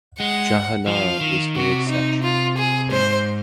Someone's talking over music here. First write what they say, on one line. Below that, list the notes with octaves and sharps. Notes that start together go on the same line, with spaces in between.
Jahanara was no exception.
G#3 F#5
F3 F5
D#3
C3 F#4
D#4
F4
G#4
G#2 C5